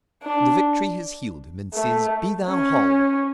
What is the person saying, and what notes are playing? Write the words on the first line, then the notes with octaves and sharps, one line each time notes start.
The victory has healed him, and says--Be thou whole!
D4
A3
C#4